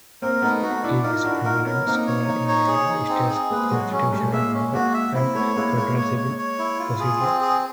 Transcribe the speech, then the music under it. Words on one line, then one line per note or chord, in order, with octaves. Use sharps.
He is a prominent scholar in United States constitutional law and federal civil procedure.
A#3 C4 A#4
A3 B3 D#4
A3 B3 F#4
D4 E4 D5
D#4 F4 A#4
D4 E4 F#4
D#4 F4 A#4
B3 C#4 A#4
A#3 C4 D#4
C#5
D#4
C#5
G#4
D#4
C4
G#4
G#3 A#3 B4
F#3 G#3 F#4
F#3 G#3 C#4
G3 A3 C#4
G#3 A#3 E5
C#4
G#3 A#3 F#4
E5
A#3 C4 E4
A3 B3 C#5
G#3 A#3 E4
G#3 A#3 C#5
C#5
C#5
C#5
E4
F4
G#4
C4
G#4